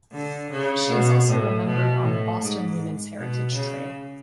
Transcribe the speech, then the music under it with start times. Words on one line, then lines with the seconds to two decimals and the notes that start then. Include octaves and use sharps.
She is also remembered on the Boston Women's Heritage Trail.
0.12 D3
0.51 C#3
0.89 B2
1.28 A2
1.65 B2
2.03 A2
2.42 G#2
3.18 B2
3.55 C#3